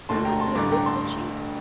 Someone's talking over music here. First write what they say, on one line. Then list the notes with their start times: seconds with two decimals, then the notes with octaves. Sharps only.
Who was the invisible chief?
0.09 E1 D2 D3 A3 A5 C6
0.25 G5 A#5
0.40 A5 C6
0.55 A1 G2 D3 A3 A#5 D6
0.71 G5 A#5
0.86 A5 C6